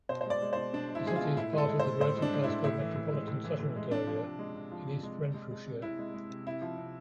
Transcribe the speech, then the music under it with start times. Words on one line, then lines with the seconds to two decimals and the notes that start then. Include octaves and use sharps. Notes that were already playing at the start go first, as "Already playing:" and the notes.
The city is part of the Greater Glasgow Metropolitan Settlement Area in East Renfrewshire.
0.09 B2 C5
0.21 C5
0.26 G#3 D5
0.42 G#3
0.53 B2 C5
0.73 B2 D4
0.89 G#3
0.95 E4
1.05 G#3 G#4
1.16 F4
1.21 B2
1.36 A2 E4
1.53 G#3
1.58 A4
1.69 G#3
1.79 C5
1.85 A2
2.00 A2 C5
2.17 G#3
2.22 D4
2.33 G#3
2.44 A2 E4
2.64 A2 E4
2.80 E3
2.96 A2
3.12 G#3
3.28 A2
3.44 E3
3.59 A2
3.76 G#3
3.91 C3 D4
4.07 F3
4.23 C3
4.39 G#3
4.55 C3
4.72 F3
4.87 C3
5.03 G#3
5.19 C3
5.34 G#3
5.51 G#3
5.66 C3
5.82 C3 E4
5.99 G#3
6.14 G#3
6.30 C3
6.46 C3 E4
6.62 F3
6.78 C3